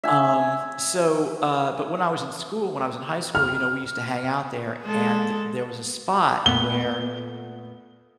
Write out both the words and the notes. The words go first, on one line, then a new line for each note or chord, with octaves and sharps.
um, so, uh, but when I was in school- when I was in high school- you know, we used to hang out there, and there was a spot where
E5 G#5
F6
G#3 A4
A#2 A3 B3 G7